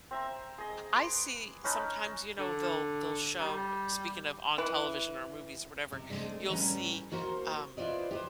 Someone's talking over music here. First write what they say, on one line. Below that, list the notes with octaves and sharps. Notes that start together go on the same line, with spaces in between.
I see sometimes, you know, they'll they'll show speaking of on television or movies or whatever, you'll see, um,
C4 E5 A#5
G#4 D#5
B4 C6 D6
C#4 D#4 B4 A5
D3
G3
E3 B4
C3
G#3 A3 C4 D4
A2 G3 A#3 C#4 B4 A#5
A#3 F#4 A#4 C5
E4 F4 B4 C5 D5 D#5
G4 B4 C5